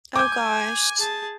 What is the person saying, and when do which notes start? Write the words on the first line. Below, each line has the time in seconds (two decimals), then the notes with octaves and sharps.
Oh gosh.
0.16 G#5 D6 G6
0.99 G#4 A5